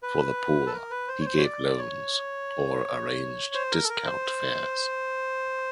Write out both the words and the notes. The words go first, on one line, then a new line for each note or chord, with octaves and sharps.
For the poor, he gave loans, or arranged discount fares.
B4
A4
A#4
B4
C5
C#5
C5
C#5
D5
C#5
C5
A#4
A4
A#4
C5